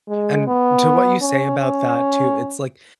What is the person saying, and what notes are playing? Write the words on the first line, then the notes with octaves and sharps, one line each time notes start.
and to what you say about that too, it's like,
G#3
B3
C#4
C#4